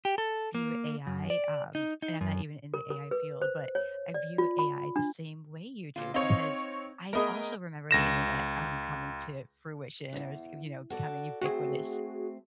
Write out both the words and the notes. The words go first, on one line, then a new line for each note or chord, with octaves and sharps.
view AI, um, and I'm not even in the AI field, but I view AI the same way you do because I also remember the internet, um, coming to fruition or, th you know, becoming ubiquitous,
G4
A4
A#3
F#2
D5
D#4
D#4
F#2
A#4
A#4
B4
C5
C#5
D5
F4
B5
D4
A#2 F4
C4 D#4 C#5 D#5 F5
A3 B3 G#4 A#4 D#5
C#2 A#6 E7
E2 G2
F#4 A4 D5
A3 C4 F#4 G#4